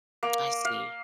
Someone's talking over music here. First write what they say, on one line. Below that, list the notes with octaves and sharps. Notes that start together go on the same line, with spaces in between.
I see.
A#3
F5